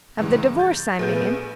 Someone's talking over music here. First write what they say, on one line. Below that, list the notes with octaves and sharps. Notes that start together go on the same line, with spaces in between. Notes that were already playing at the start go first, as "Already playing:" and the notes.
"Of the divorce, I mean?"
C#2 G2 E3
G6 A6
A#1 A3 B3 G#4 B4 G6